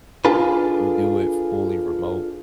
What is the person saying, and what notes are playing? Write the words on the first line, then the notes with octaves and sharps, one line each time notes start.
do it fully remote.
D4 F4 G#4 A4 B4